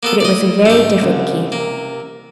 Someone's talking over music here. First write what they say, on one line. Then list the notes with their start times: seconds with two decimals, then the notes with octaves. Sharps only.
But it was a very different Keith.
0.03 A#3 B3 A4
0.20 A3 E4 D5 D#5
0.65 G#2 D3 A3 G4
1.01 C2 C#3
1.52 C3 A#3